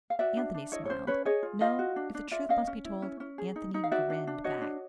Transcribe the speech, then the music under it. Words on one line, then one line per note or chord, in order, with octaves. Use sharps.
Anthony smiled . . . no, if the truth must be told, Anthony GRINNED back.
F5
F#4 D5 E5
D4
D4
E4 C#5 D#5
C#5
C#4 C5
C#4 B4 C#5
G#4 C#5 D#5
F4
F4 D#5 F5
F#4
D4
D4
F4 D5 E5
C#4 D#5 F5
C#4
E4
C#4
C#4
G#4
D#4
D#4
F5
F#4 D5 E5
D4
D4
F#4 C#5 D#5
D4